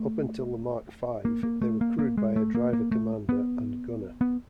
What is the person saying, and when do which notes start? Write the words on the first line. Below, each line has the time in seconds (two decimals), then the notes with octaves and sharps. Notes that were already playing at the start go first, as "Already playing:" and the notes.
Up until the Mark V, they were crewed by a driver-commander and gunner.
Already playing: A3
1.25 A#3
1.43 A#3
1.62 A3
1.81 A#3
1.99 A#3
2.18 G#3
2.36 A3
2.55 A#3
2.73 A#3
2.92 A3
3.29 B3
4.21 B3